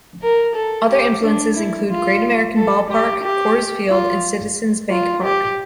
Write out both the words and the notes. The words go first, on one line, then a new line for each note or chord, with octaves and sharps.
Other influences include Great American Ball Park, Coors Field and Citizens Bank Park.
A#4
A4
G4
D4
E4
F4
A4
G4
G4
F4
F4
G4